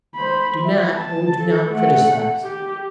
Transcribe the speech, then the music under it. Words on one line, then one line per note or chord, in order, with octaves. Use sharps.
Do not--oh, do not--criticise.
C5 B5
E5
A5
A4
A3 F#5
G4